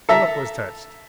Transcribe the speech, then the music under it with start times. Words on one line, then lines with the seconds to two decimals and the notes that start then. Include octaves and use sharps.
Philip was touched.
0.09 A4 E5 A#5